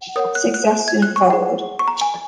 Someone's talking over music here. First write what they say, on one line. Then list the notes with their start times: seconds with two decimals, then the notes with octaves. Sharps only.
Success soon followed.
0.16 A#4 C#5 F#5 D#6
0.35 F#6
0.54 F#6
0.88 G#6
1.02 F#6
1.16 C#6
1.30 G#4 F#5
1.79 C#6
1.88 A#5
2.01 G#5